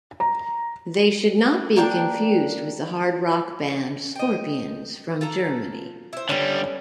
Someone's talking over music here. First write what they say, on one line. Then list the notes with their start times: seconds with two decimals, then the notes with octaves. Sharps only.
They should not be confused with the hard rock band Scorpions from Germany.
0.20 A#5
1.76 A#3 D4 G5 A5
4.15 D#5 G5
5.21 F4 A4 A#5
6.13 E4 C5
6.29 D3 G3 B3 C#4